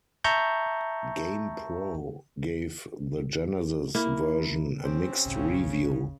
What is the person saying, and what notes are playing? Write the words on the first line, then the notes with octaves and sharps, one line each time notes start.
"GamePro" gave the Genesis version a mixed review.
E5 A5 A#5 C#6 G6
A#3 E4
C3 C4 C#4
G#1 C#2 A2 C#3